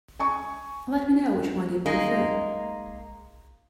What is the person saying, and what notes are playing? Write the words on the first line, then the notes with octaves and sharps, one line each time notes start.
Let me know which one you'd prefer.
G#5 C#6
G#3 A#3 D#4